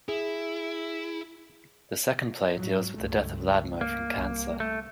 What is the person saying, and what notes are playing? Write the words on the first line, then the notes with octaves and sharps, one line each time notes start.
The second play deals with the death of Ladmo from cancer.
E4 G#4
G#2 F#3
C#2 G2 A3
A#3
C2
A3